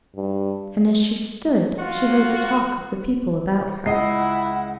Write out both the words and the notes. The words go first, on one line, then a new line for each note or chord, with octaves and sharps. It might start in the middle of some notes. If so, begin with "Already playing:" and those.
And as she stood she heard the talk of the people about her.
G2
F4 F#4
C#2 E4 D#5 F#5 C7